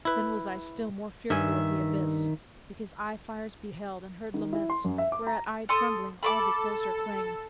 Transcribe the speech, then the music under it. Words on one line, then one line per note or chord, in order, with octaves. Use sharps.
Then was I still more fearful of the abyss; Because I fires beheld, and heard laments, Whereat I, trembling, all the closer cling.
E4 B4
G2 D#3 E5 G#5
D#3
E4
C6
F#2
E5
D6
A#5
A4 C6 D#6
A4 B5 C6 D6